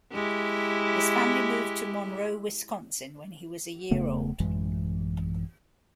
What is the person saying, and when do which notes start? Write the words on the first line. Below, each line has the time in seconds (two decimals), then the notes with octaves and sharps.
His family moved to Monroe, Wisconsin, when he was a year old.
0.12 G#3 E4 G4
3.91 E1 C#3 A3 B3
4.40 A1 F#2 E3 G#3